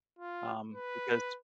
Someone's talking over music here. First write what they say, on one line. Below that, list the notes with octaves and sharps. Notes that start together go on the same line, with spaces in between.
um, because
F4
B4